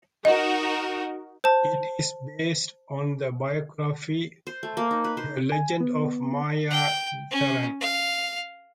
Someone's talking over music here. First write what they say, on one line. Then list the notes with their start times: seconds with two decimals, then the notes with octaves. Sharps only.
It is based on the biography "The Legend of Maya Deren".
0.25 D#4 F#4 A#4 D#5
1.44 C5 A5
4.47 C5
4.63 A3
4.77 A#3
4.91 D#4
5.04 B4
5.17 C5
5.52 G#5
5.80 B3
6.70 G5
7.31 C#4
7.81 F5